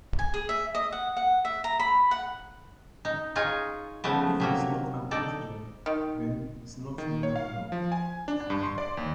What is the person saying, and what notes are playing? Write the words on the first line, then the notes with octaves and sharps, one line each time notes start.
If is not an integer, then is not nonagonal.
G#5
G#4
E5
D#5
F#5
F#5
E5
A#5
B5
F#5
D#4
D#4 F4 G#4 C#5
C#3 F3 A3 B3
C3 F#3 A#3
D#4 A4 D5
D#3
D#3
C#5
F5
F3
G#5
D4
G2
C6
D5
D#2